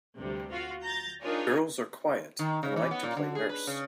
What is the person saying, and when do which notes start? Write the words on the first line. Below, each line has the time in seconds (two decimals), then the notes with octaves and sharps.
Girls are quiet, and like to play nurse.
0.17 D2 G2 C3 G3
0.51 F4 F#4 F5
0.83 A#5 G6 A6
1.23 D4 D#4 F4 G#4 A#4 C#5
2.39 D#3
2.63 C#3
2.76 E3
2.91 B3
3.03 A#2
3.17 D3
3.35 G#4
3.49 B4
3.67 C#3